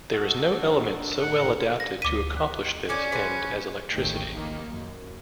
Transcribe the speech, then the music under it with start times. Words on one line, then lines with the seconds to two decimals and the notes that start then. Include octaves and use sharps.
There is no element so well adapted to accomplish this end as electricity.
0.11 F#4 A4 D#5
0.49 D4
1.20 A2 D#3 F#5 A#5
1.80 A#6
2.02 D2 D6 B6 D#7
2.37 F#6
2.89 C#4 D5 G#5
3.12 G#4 B4 C5 G#5
3.92 A1 D#2 D#3 A3 G5
4.32 D#2 D#3 A#3
4.68 F#2